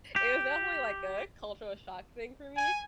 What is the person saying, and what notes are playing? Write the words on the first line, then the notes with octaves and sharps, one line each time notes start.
It was definitely like a cultural shock thing for me
G4
G#5